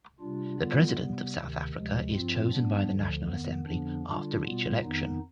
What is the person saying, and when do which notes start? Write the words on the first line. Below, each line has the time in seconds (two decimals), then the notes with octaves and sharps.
The President of South Africa is chosen by the National Assembly after each election.
0.20 C3 G3 D4 F4
0.59 D3 G3 B3 F4
0.98 C3 G3 B3
1.35 D2 C3 D#3
1.74 D2 C3 F3 G#3
2.12 G2 F3 C4 F4
2.51 G#2 G3 B3 D4
2.89 D2 D3 F3
3.28 F2 D#3 B3
3.66 F2 D3 F3 B3 D4
4.05 D3 G3 D4 F4
4.43 B2 G3 B3 F4
4.82 F2 D#3 B3 D#4